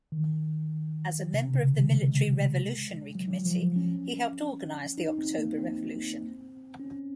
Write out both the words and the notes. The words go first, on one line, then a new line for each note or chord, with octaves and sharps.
As a member of the Military Revolutionary Committee he helped organize the October Revolution.
D#3
C3
C#3
D#3
G#3
F#3
F3
F3
C#4
D#4
C4
A#3
C4
C#4